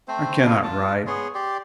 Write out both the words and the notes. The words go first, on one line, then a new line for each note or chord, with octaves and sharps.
I cannot write.
A3 C4 C5
A3 A4 B4 F5
F4 A5
B3 G#4 C#5 C6
G4 D5 C6